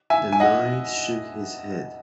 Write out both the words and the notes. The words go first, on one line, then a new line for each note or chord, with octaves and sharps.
The Knight shook his head.
E5 G#5
G#5
D#5 F#5